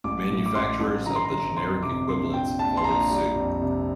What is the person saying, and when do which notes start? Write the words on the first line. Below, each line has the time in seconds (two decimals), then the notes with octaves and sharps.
Manufacturers of the generic equivalents followed suit.
0.04 A1 D6
0.30 A2
0.46 D6
0.55 A1 C6
0.81 A1
1.06 G1 A#5
1.15 C6
1.25 A#5
1.32 G1
1.57 F2 C6
1.83 C3 D6
2.08 A#1 C6
2.33 A#1 G5
2.59 A#1 A5
2.77 C6
2.84 A#1 A#5
3.10 G3
3.35 F2
3.61 C3